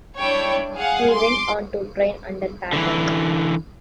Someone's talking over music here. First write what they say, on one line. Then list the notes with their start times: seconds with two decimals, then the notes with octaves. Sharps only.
He went on to train under Pat Buck.
0.19 D4 E4 C#5 G5
0.75 G#4 F5 F#5
1.14 C6 D6
2.73 D3 E3